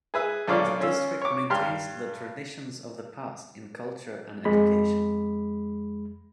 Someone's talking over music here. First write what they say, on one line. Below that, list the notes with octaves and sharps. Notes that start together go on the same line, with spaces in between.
The district maintains the traditions of the past in culture and education.
G#4 B4 E5
B1 D3 F4 C#5 D5
C#4 F4 E6
C#5 D6
G2 G4 C6 F6
F2 G#3 B5